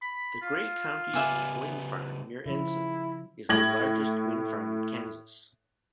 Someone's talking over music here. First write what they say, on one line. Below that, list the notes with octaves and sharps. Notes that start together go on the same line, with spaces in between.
The Gray County Wind Farm near Ensign is the largest wind farm in Kansas.
B5
F4
C#3 B3 E5 G#5 D6
C#3 F3 E4
A2 G#6 A#6 F#7